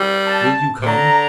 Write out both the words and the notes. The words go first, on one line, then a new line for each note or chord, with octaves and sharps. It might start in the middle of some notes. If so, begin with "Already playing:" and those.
Will you come?
Already playing: G3
A5
C3
D3 A#5